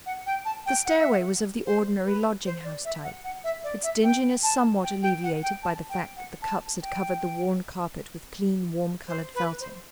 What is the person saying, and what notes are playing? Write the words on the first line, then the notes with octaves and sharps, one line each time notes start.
The stairway was of the ordinary lodging-house type, its dinginess somewhat alleviated by the fact that the Cupps had covered the worn carpet with clean warm-coloured felting.
F#5
G5
A5
G5
F#5
E5
F#5
C5
B4
C5
D5
E5
F#5
F#5
E5
D5
E5
G5
A5
G5
G5
F#5
G5
A5
G5
F#5
A5
G5
C5
B4
C5